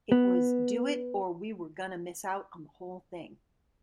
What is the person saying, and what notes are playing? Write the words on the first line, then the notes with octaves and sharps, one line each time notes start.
It was do it or we were gonna miss out on the whole thing.
B3